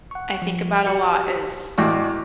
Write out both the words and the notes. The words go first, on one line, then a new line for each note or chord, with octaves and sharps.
I think about a lot is,
F#5 C#6
F3
F#4 G4 C#7
E2 A2 F#4 D5 D#5 D6